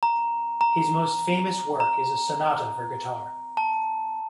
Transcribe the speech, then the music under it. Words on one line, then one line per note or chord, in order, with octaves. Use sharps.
His most famous work is a sonata for guitar.
A#5
A#5
A#5
A5